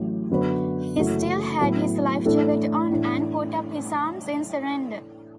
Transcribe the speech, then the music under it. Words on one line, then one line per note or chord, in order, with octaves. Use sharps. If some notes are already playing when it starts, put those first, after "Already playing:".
He still had his life-jacket on and put up his arms in surrender.
Already playing: A1 A2 F#3
F#2 D3 B3 F#4 B4
F#1 F#2 E3 A3 F#4
A2 F#3 B3 E4
A2 E3 A3 D4 A4
A2 E3 D4